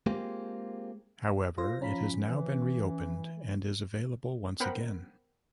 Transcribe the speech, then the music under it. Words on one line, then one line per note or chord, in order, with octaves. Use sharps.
However it has now been reopened and is available once again.
G#3 A#3 C4 F4 G4 G#4
F4 C5 A#6
F3 C#4 F4 A#5 B5
E3
B3 A#4 C5 F#5 G5 B5